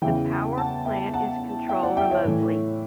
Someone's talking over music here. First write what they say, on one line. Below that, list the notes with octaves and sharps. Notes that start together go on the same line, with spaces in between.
The power plant is controlled remotely.
E2 C#3 E3 E5 G5
F#5 A5
E5 G5
F#5 A5
E5 G5
D5 F#5
E5 G5
C#5 E5
A2 E3